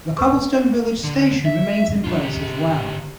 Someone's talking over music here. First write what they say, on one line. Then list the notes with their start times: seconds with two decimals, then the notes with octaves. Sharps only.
The Cobblestone Village station remains in place as well.
0.18 B4 C#6
1.04 D3
1.45 E5
2.04 D4 F4
2.19 D3 G4